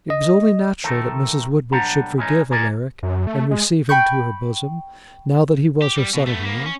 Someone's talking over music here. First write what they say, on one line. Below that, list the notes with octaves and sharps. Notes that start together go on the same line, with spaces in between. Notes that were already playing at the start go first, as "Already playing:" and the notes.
It was only natural that Mrs. Woodward should forgive Alaric and receive him to her bosom, now that he was her son-in-law.
D#5
D#3 F3 A3 A4 A#4
B1 G3 D4 F#5 A#5
E3 G#3 C#4 D#4
D2 G#4 A#4 D5
F#2
A3
G#3
G5 B5 C#6 G6
G4
G3
B2
A3 B3
A#3 B3
C#4